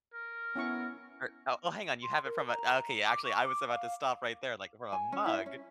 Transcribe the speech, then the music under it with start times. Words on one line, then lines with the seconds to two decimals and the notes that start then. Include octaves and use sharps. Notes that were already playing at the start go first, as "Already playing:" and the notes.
Or oh, hang on. You have it from a okay, actually, I was about to stop right there, like, from a mug?
0.14 A#4
0.56 B3 C#4 E4 C#6
2.03 C6
2.25 A#4
2.48 A#5
3.06 D6
3.24 C#6
3.45 D6
3.69 F5
4.93 G#5
5.12 C#4
5.26 E4
5.46 C#4